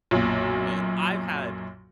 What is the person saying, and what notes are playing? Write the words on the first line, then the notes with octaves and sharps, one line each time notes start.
uh I've had
B1 F#2 A#2